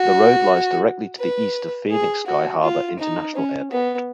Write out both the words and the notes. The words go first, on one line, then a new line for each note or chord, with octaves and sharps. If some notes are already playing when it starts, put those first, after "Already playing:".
The road lies directly to the east of Phoenix Sky Harbor International Airport.
Already playing: F#4
B4
G#4
F#4
F4
D#4
C#4
B3